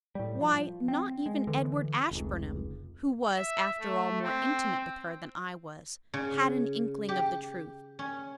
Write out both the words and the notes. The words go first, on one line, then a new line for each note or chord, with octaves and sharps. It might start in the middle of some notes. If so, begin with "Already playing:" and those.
Why, not even Edward Ashburnham, who was, after all more intimate with her than I was, had an inkling of the truth.
A2 G3
F3
C4
G#3
D3 E3
F1 C#2
E5
A3
C4
C#3
G4
C#4